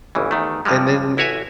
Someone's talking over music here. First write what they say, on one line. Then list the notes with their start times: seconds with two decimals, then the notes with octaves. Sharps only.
and then
0.15 G1 C#2 C#3 E3
0.31 E2 D#3 A3
0.65 G2 F3 G3 G#3
1.17 A1 E4 F#4 C#5 E5 G#5